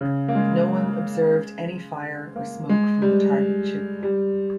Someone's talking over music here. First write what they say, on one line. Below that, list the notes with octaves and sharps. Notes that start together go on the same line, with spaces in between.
No one observed any fire or smoke from the target ship.
C#3
A#3
G#3
A#3
G#3
G3
G3